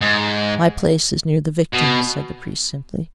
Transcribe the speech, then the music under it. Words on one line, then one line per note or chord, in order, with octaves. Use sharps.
"My place is near the victims," said the priest, simply.
G#2
B2